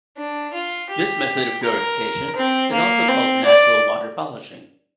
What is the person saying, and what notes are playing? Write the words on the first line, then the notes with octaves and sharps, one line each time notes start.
This method of purification is also called natural water polishing.
D4
F4
G4
A#4
C4
A#3
C4
D5